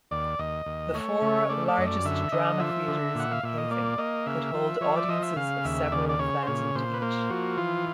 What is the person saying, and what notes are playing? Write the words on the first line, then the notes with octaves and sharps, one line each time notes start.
The four largest drama theatres in Kaifeng could hold audiences of several thousand each.
D#2 D5
D#2 D#5
D#2
A3 C#5
C#3
A3 D5
D5
F#2 D#5
D5
D3 E5
D3 D#5
F3 E5
D3
A#2 F#5
F5
A#2 E5
D#5
A#3 D5
A#3 D#5
C#3 E5
F3
F3 C#5
D5
F3 D#5
E5
C#3 F5
D#2 E5
C#3 D5
D5
C#3 C#5
C5
A#2 C#5
A#2 C5
B4
A#3 C5
F3 F#4
E3 F4